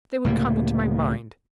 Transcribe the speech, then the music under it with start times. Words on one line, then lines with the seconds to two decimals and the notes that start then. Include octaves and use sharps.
They would come into my mind.
0.25 C#2 A2 C3 A#3